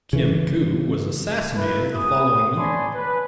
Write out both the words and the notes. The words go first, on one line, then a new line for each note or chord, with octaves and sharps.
Kim Koo was assassinated the following year.
C#3 E3
A#3 E4 B4
B3 G#4 D#6
C#5 D5 G#5 A5 B5 C6
B4